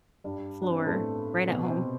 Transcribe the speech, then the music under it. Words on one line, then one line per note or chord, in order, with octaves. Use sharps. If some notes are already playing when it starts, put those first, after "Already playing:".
floor right at home.
G2 G3
D4
C4
B3
A2 A3
C4
B2 B3
B3
C3 C4